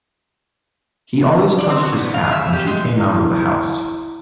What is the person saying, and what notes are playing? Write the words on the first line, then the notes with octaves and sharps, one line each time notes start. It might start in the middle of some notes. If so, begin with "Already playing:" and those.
He always touched his hat when she came out of the house.
D5
C4
F#4
B3
F5
E5
G4
G#3
E4